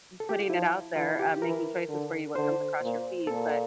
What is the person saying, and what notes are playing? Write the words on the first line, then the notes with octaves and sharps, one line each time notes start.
putting it out there, um, making choices for you what comes across your feed. But,
A4
G4
F4
F3 E4
E3 F4
G4
E3 A#4
D3
D3 C5
A#2
A#2 A4